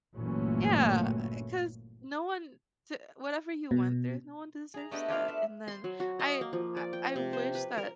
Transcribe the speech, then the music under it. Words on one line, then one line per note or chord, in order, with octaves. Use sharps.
Yeah, 'cause no one to whatever you went through, no one deserves that, and then I I I wish that
G1 A#2 E3 F#3 A3 C#4
B2
G#4 A#5
A3 B3 D4 G4 A4 D#5
B3 D4 F4 F5
E5
C6
F#3
F#4
D#5
A#3
F3
D5
G5
C3
C5
B4
A#4